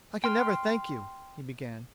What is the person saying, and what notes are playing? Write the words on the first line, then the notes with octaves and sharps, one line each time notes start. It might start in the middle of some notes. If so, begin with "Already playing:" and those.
"I can never thank you," he began.
G5 C6 F6